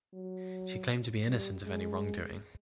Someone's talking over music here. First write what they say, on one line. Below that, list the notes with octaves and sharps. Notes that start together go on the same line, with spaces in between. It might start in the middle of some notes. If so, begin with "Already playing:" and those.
She claimed to be innocent of any wrongdoing.
F#3
G3
G#3